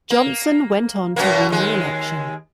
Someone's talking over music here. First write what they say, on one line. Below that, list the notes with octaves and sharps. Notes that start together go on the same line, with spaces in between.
Johnson went on to win the election.
A#3
F#2 B2 A#3
D#2 G#3